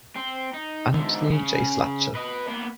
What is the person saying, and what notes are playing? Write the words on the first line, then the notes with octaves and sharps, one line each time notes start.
Anthony J. Slatcher.
C4
D#4
G#2 D3
C#3
B4 D#5
A#3 B3